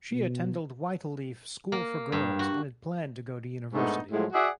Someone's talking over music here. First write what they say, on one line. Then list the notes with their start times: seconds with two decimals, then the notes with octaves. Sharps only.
She attended Whyteleafe School for Girls and had planned to go to university.
0.13 B2
1.72 A#3
2.12 G2
2.39 F#4
3.73 G#2 A3 B3 D4 D#4
4.11 A2 F3 F#3 G#3 A3
4.33 F#4 G#4 D5 E5 F#5